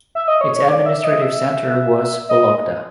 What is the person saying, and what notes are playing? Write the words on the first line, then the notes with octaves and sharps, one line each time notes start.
Its administrative centre was Vologda.
E5
D#5
C#5
C#5
D5
E5
D#5
E5
D#5